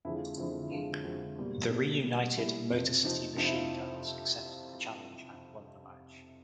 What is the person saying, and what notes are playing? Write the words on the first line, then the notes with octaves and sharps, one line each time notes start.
The reunited Motor City Machine Guns accepted the challenge and won the match.
F2 D3 F3 G#3 E4
F4
F2 D3 F3 G#3 E4
E4
F2 D3 F3 G#3 F4
F2 D3 F3 G#3 F#4
B2 G3 A#3
B2 G3 A#3
B2 G3 A#3
B2 G3 A#3 E4
F2 C3 F3
F2 C3 F3 D#4
F2 C3 F3 D#4
E4
F4